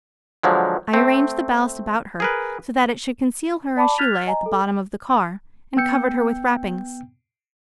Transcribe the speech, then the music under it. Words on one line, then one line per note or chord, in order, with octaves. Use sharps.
I arranged the ballast about her so that it should conceal her as she lay at the bottom of the car, and covered her with wrappings.
D3 F3 F#3 G#3
A3 C4
G#4 A#4 B4
D5 A5 B5 D6
F6 F#6 G#6 A6 B6 F7
D#5 G#5 A#5
A4
B3 G5 E6 G6 C#7